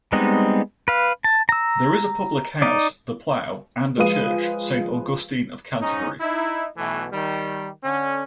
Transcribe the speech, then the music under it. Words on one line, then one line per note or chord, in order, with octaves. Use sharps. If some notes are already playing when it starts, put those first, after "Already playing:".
There is a Public House, "The Plough" and a Church, "Saint Augustine of Canterbury".
G3 G#3 B3 C4 D#4
B4 F5
A5
A#5 E6
D#4 D5
F3 G#3 B4 F5 D#6 D#7
G#2 C#4 D#4
D#4 E4
B1 B2 E3 A3
D#3 G3
D3 C#4